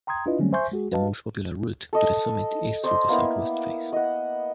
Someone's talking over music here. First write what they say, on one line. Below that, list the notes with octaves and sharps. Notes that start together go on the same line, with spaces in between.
The most popular route to the summit is through the south west face.
G5 A#5 C6 D#6 G#6
D4 E4 F4 B4 D#5
D3 F#3 G3 A3 C4 C#4
C5 E5 G#5 C6 C#6 G6
G#3 F#4 G#4
F#4 B4 D#5 F5 A5
A4 D#5
C5 D5 D#5 C6
A#3 B3 E4
D#5 F#5